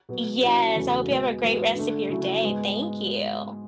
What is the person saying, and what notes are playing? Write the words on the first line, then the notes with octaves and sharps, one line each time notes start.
yes, I hope you have a great rest of your day, thank you.
B2 F#3 B3
B2 F#3 C#4 E4
E2 C#3 F#3 A3
B2 G#3 B3
G#2 E3 B3 F#4
D3 A3 D4
C#3 F#3 A3 E4
G#2 G#3 B3